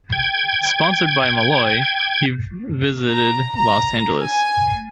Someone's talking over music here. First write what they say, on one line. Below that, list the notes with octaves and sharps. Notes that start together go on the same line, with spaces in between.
Sponsored by Malloy, he visited Los Angeles.
G5 G#6
A#5
A#5
G#5